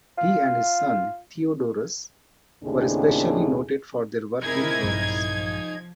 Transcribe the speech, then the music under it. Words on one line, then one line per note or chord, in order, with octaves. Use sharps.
He and his son Theodorus were especially noted for their work in bronze.
F4
D#2 A2 C#3 C4 D4 G#4
C3 D#4 E4 G#4 A#4 G#6
A#1 G2 F#3
F3